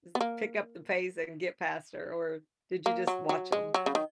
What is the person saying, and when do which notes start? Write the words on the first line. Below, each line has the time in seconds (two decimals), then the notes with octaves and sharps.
just pick up the pace and get past her." Or did you just watch 'em?
0.15 B3
0.21 A#3
2.86 A#3
3.07 F#3
3.29 F#3
3.52 G#3
3.74 F#3
3.86 C#3
3.95 D#3